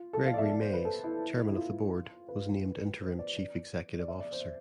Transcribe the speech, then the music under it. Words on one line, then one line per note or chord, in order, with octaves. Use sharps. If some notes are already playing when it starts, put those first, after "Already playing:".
Gregory Mays, Chairman of the Board, was named interim chief executive officer.
Already playing: F4
A4
F5
D5
E5
D5
C5
B4
A4
E4
E4
F4
B4
C5
D5
D5
D5
E5
D5
C5